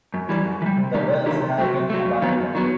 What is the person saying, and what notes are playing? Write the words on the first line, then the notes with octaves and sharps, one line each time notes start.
The wells have been abandoned.
F#2
E3 G3
F#2
E3
G3
C3
D#3 A3 D#4 G4
C3
D#3 A3 D#4 G4
C3
F#3 A3
C3
F#3 A3
F#2
D#3 F#3 B3
F#2
D#3 F#3 B3